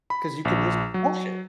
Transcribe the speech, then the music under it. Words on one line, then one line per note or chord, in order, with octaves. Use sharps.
'Cause you can just wash it.
B5
A#1
F#3